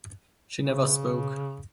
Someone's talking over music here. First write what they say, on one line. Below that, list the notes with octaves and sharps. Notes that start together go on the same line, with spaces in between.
She never spoke.
C#3